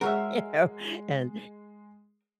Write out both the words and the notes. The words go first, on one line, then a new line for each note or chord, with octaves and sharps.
you know, and,
G#3 F#4 A#4 C#5 E5